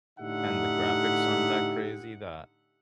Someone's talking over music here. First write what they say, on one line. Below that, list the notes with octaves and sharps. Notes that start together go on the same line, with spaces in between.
and the graphics aren't that crazy that
A2 D3 D#4 G4 E5 F#5